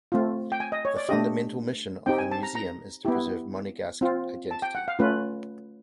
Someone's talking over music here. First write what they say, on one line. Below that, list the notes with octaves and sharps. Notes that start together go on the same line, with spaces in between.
The fundamental mission of the museum is to preserve Monegasque identity.
A3 C4 F4
G5
G#5
D#5
C#5
D5
A3 D4 G4 D#5
C4 D#4 G4 G5
G#5
A5
A#5
A#5
B3 E4 G4
C4 F4
A5
G5
F#5
F5
A3 C#4 F4 B4